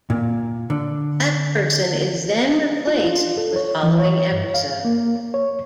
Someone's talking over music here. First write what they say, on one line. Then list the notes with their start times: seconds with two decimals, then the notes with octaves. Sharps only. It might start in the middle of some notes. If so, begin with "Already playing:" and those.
That person is then replaced the following episode.
0.10 A#2
0.70 D3
2.87 F4
3.04 F4
3.37 A4
3.56 C#5
3.83 E3
3.99 C#5
4.32 G2
4.54 F5
4.85 A#3
5.34 C#5